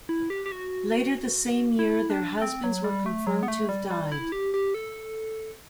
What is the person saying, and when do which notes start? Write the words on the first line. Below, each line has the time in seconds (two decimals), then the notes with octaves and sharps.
Later the same year their husbands were confirmed to have died.
0.09 E4
0.30 G4
0.46 G4
0.52 F#4
1.79 E4
2.10 D4
2.42 C4
2.64 F#3
2.84 G3
3.06 A3
3.27 F#3
3.43 B3
3.48 A3
3.69 G3
3.91 G3
4.12 E4
4.32 G4
4.54 G4
4.74 A4